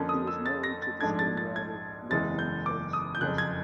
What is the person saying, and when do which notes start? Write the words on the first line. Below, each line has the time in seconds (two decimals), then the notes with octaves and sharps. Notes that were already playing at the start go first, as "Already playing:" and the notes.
He was married to the screenwriter Lillian Case Russell.
Already playing: F2 D3 F3 A#3 C#4
0.09 D#6
0.27 E6
0.46 A6
0.63 A#6
0.82 A6
1.01 A#1 G#2 F3 A3 D4 G#6
1.19 A6
1.37 A6
1.56 G#6
2.10 F#1 E2 C#3 E3 G#3 A6
2.39 G6
2.66 D6
2.93 D#6
3.15 G6
3.21 F#1 F2 C#3 F#6
3.38 G#6